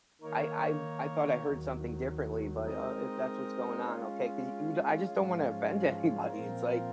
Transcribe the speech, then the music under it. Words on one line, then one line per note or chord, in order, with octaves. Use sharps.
"I I I thought I heard something differently, but, uh, if that's what's going on, okay," 'cause you I just don't wanna offend anybody, it's like
D#3 A#3 D#4 A#4 C#5
D#2 D#3 F#3
G#3 C4 D#4 A#4 D#5
G#3 C#4 F4
G#2 F3 G#3 C#4 F4
A#2 F3 C4 F4 A#4